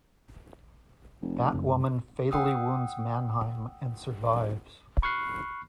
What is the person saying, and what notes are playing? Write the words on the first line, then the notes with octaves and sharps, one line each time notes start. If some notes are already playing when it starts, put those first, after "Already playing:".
Batwoman fatally wounds Mannheim and survives.
F1
F#2 C#3 G#3
F#5 G5 D#6 E6
B5 C#6 F6 F#6 C7